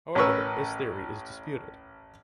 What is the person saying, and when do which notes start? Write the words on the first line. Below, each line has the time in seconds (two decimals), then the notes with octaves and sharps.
However this theory is disputed.
0.15 A1 C#4 A#4 B4 C#6 E6